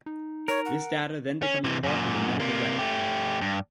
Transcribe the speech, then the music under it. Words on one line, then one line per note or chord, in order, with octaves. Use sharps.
This data then becomes part of the medical record.
D#4
A#4 C#5
F#5
C#4
C3 E3
F#2 A#2
C3 A#3
A3 G4
G2